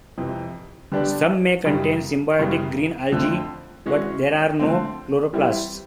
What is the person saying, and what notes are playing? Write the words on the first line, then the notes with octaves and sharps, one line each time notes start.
Some may contain symbiotic green algae, but there are no chloroplasts.
F2 C3 E3
D3 G3 B3 D4 G4
F#2 C#3 E3 G3
F#2 C#3 E3 G3 B3
F2 D3 F3 A3 C4
E3 G#3 C#4 F#4
D3 F3 A3 C4
E3 G3 C4 E4